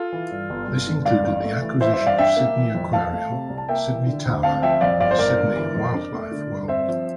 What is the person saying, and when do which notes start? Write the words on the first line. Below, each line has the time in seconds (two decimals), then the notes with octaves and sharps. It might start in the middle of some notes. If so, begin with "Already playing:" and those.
This included the acquisition of Sydney Aquarium, Sydney Tower and Sydney Wildlife World.
Already playing: F4 A4
0.12 E3
0.31 G2
0.50 G1
0.68 G1
0.87 D3
1.05 G2 D5 F5
1.24 A1
1.44 A3
1.62 E3
1.80 E3 C5 E5
1.93 C5 E5
2.00 G2
2.07 D5 F5
2.18 D4 E5 G5
2.37 A#3
2.56 E3
2.75 F2
2.93 F2 F5 A5
3.13 A3
3.32 C3
3.50 C2
3.58 A5
3.68 A#3 E5 G5
3.88 E3
4.07 D3
4.25 D2
4.43 C4 F5 A5
4.62 F3 E5 G5
4.81 F2 D5 F5
5.00 G1 D5 F5
5.11 C5
5.18 G1 A#4 D5
5.38 D3
5.56 E3
5.75 F2
5.94 D4
6.13 A3
6.31 D3
6.50 G2
6.68 C4 C5 E5
6.88 F3